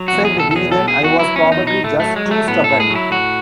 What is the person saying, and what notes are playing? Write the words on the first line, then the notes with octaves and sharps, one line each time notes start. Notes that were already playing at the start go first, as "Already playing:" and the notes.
Said Heiden I was probably just too stubborn.
Already playing: F#3
E2 F#4
G#4
B2 A4
A4
E2 G#4
A4
B2
G#4
E2
F#4
F#3 E4
C#4
E2
D#4
B2 D#4
A2 A3
F#3 A3
G#3
F#3
A3
A2 B3
A2 A4
G#4
F#3
E4
A2 F#4